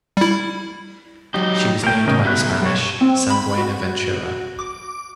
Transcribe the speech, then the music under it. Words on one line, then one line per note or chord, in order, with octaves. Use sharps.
She was named by the Spanish "San Buena Ventura".
G3 E4
F#3 D#4 G4
A2 A#4 G5
A2 C#3 C#4 A#4 D#5
B2 F#3 E5 F#6
G3 C#5
C4
B5
F#4
D6